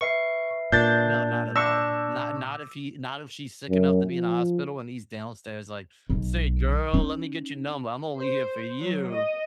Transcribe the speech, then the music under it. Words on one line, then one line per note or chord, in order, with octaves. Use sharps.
No, not at all, not not if he not if she's sick enough to be in a hospital, and he's downstairs like, "Say, girl, let me get your number, I'm only here for you."
B4 E5 C#6 C7
A#2 D4 G6 A6
D4 C#6 D6 E6 G6 A#6
F#2
F3
B1
C#4 D#4
C5
F#3
D#5